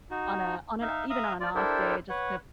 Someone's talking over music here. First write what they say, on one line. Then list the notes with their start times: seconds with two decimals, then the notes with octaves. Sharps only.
On a on an even on an off day just cuf
0.11 D#4 F#4
0.82 D#4 E5 F5
1.10 E5 F5 A#5 D#6
1.40 F4 D5
1.55 D4 E4 G4 A4 A#4 C5
2.10 B4 C#5 F#5